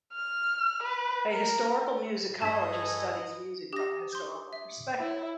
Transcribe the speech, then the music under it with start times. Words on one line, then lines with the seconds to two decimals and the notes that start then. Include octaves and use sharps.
A historical musicologist studies music from a historical perspective.
0.13 F6
0.83 B4
1.29 A#4
2.42 G2 G#4 A4 B4 C#5 D#5 A5 B6
3.73 D4 G4 D6 D#6 A#6
4.13 C6 G6
4.53 E5
4.99 E4 C#5 B5